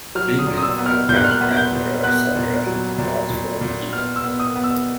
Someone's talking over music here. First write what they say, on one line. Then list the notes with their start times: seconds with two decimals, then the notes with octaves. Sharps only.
Ling Ling-Fat and the Emperor separately depart for the event.
0.15 F#3 F6
0.39 D#6
0.47 A#2
0.58 D#6
0.63 E6
0.78 B3
0.86 F6
1.09 A#2 G6
1.16 F#6
1.24 F6
1.31 F#6
1.41 B3
1.57 G6
1.73 A#2
2.03 B3 F#6
2.35 A#2
2.67 F#3
2.98 A#2
3.30 A#2
3.61 A#2
3.92 B3 F6
4.16 E6
4.24 B3
4.40 D#6
4.55 B3
4.64 E6